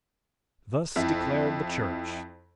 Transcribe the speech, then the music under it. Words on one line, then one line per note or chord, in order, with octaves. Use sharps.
Thus declared the Church.
F2 E4